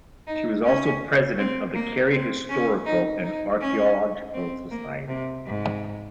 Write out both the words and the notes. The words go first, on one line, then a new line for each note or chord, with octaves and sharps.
She was also President of the Kerry Historical and Archaeological Society.
D#4
C#4
C4
A#3
C4
C#4
D#4
D#4
C#4
C4
A#3
C3
G#2